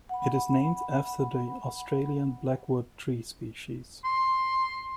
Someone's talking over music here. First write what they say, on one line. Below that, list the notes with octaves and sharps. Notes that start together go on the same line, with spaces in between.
It is named after the Australian Blackwood tree species.
F#5 B5
C6